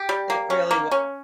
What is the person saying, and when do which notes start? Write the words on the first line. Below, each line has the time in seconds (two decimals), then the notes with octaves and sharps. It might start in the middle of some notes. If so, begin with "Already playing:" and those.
It really was.
Already playing: G4
0.09 G3
0.30 A#3
0.50 C#4
0.71 A#3
0.91 C#4